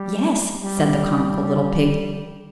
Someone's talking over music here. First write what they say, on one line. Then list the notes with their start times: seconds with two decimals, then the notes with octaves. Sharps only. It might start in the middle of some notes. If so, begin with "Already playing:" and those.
"Yes," said the comical little pig.
Already playing: G3
0.62 G3